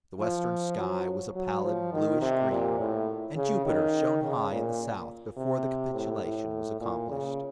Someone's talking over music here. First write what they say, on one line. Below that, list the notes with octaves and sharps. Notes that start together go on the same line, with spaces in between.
The western sky was a pallid bluish green, and Jupiter shone high in the south, before the capitulation was accomplished.
F3
F#3
F#3
F3
D#3
C3
A#2
A2
C#3
D#3
C#3
A#2
C3
A2
A2
A#2
C#3